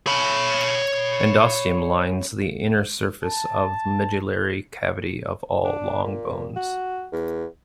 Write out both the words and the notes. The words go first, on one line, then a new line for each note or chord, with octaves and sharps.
Endosteum lines the inner surface of the medullary cavity of all long bones.
C#5 B5
A5
D4
A#2
F#4
E2